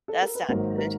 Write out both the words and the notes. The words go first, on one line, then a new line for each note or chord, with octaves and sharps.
That's not good.
A4
A#4
B4
G#1 G#2 D#3 F#3 A#3 A#4 C5
A#4